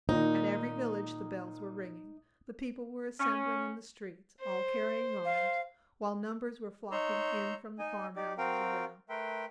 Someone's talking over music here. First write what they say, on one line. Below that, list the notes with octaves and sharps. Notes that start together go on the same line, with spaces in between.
At every village the bells were ringing, the people were assembling in the streets, all carrying arms, while numbers were flocking in from the farmhouses around.
A#2 D#3 D#4
C#4
C5
F5
D#4 C#5 A#5 C6 E6
D#4 D#5 G#5
D#4 G4 D5
C4 F#4 A#4 F5 G5
A3 A#4 B4 E5 G5 C6